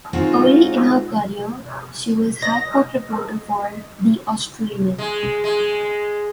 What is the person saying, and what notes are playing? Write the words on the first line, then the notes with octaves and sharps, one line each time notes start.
Early in her career she was High Court reporter for "The Australian".
G#3 C4 D#4 F4 F#4
D#5 A#6
G#3
G#3